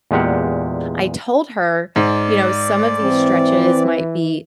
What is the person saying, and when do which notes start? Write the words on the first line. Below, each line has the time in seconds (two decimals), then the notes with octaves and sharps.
I told her, you know, some of these stretches might be
0.11 E2 A#2 G#3 G4 F5 F#5
1.96 G#2 D5
3.02 E3 C4